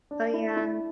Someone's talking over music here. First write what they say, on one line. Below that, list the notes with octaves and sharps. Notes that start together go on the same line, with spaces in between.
Oh yeah.
D4
E4
E4